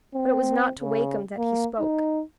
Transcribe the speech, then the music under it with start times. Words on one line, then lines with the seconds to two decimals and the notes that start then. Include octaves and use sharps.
But it was not to Wakem that he spoke.
0.14 C4
0.80 C#3
1.37 A#3
1.79 D#4